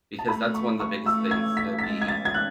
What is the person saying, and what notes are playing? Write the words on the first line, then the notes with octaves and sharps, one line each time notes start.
Because that's one of the biggest things to be
A5
A3 B5
C#6
C#6
A3 E6
G#6
B6
B6
G#3 A6
G#6
A6
G#6
F#6